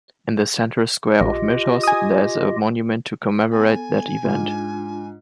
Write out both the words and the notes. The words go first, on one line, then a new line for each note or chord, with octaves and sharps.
In the central square of Myrtos there is a monument to commemorate that event.
A#1 F4 G4 D#5
G#5 D#6
B3 A4 G#5
G#2 D4 F4